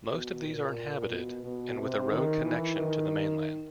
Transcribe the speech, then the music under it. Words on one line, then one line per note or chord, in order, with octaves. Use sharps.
Most of these are inhabited, and with a road connection to the mainland.
B2
A#2
B2
B2
C3
D#3
E3
D#3